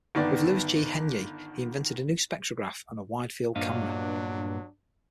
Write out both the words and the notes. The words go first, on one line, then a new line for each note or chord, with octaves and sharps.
With Louis G. Henyey he invented a new spectrograph and a wide-field camera.
G1 D#3 B3 D5
G2 A#2 F#3 B3 D4 D#5 F5